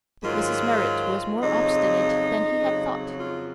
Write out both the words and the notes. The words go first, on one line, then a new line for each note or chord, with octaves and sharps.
But Mrs. Merrit was more obstinate than he had thought.
G#2 D#3 F#3 F4
F2 C#3 F#3 D#4
F2 C#3 F#3
F4